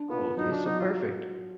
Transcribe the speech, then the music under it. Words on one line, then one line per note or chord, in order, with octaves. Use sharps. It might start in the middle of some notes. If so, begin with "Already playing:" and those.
Oh, okay, so perfect.
Already playing: D4
B3 F4
F#3 D#4
D4
F#3 D#4
F4